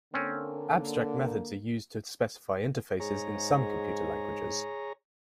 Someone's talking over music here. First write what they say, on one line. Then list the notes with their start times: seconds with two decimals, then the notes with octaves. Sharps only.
Abstract methods are used to specify interfaces in some computer languages.
0.14 D3 A#3 C4 C#4
3.00 G#2 G#4 C#5 A#5